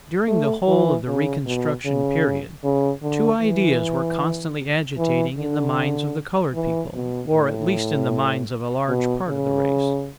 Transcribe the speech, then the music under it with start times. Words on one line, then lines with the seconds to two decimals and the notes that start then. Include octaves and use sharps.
During the whole of the Reconstruction period two ideas were constantly agitating in the minds of the coloured people, or, at least, in the minds of a large part of the race.
0.28 A3
0.68 E3
1.07 C#3
1.46 B2
1.85 C#3
2.64 C#3
3.03 D3
3.41 E3
4.98 E3
5.37 D3
6.55 E3
6.94 B2
7.33 A2
8.89 B2
9.28 C#3